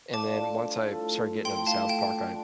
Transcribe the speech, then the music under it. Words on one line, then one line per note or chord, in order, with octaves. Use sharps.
and then once I started getting into South Park, I
G2 F3 A3 D4 A5 D6
A2 A3 F4 A4
A2 A3 F4 A4 G5 C6
F5 A5
G5
G2 D3 F3 D4